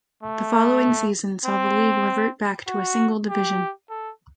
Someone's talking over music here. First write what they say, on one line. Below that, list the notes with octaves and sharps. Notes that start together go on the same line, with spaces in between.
The following season saw the league revert back to a single division.
A3
C4
F#4
G4
A4